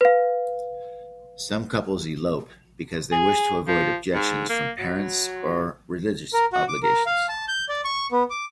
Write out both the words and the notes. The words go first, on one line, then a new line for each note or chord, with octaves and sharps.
Some couples elope because they wish to avoid objections from parents, or religious obligations.
B4 F5
G#4
F3
G#2
A#3
F#3
A#4
F#4
D6
A#4
F5
A5
G6
D5
C#6
B3
D6